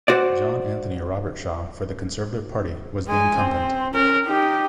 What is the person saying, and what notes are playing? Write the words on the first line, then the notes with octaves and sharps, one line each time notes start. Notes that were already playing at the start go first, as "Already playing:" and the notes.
John Anthony Robertshaw for the Conservative Party was the incumbent.
F#4 C5 D5
G#3 G#5
C4
C#4 A#4
D#4 G4